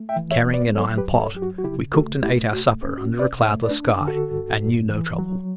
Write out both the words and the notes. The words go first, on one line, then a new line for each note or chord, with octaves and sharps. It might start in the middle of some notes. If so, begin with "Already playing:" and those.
Carrying an iron pot, we cooked and ate our supper under a cloudless sky, and knew no trouble.
Already playing: A3
E5 G5
E3
C#5 E5
B3
B4 D5
F#3 A4 C#5
G4 B4
G2
A4 C#5
F#3 G4
F#4
F#4
C#3 E4 G4
A3 F#4 A4
A3 E4 G4
B2 F#4
C#4
F#4
B2
B4 D5
A3 C#5 E5
B4 D5
D4
D3
F#4 A4
G2
G2
E3
F#3